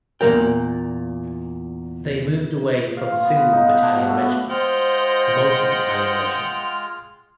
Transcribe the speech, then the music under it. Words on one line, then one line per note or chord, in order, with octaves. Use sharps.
They moved away from single battalion regiments to multi battalion regiments.
E2 A#2 F3 A#4 G5
F5
F4
B3
B3
D#4
F#5
D4
B2
A3
B3
G#3 F4 C5 D#5 F#5 G5 F6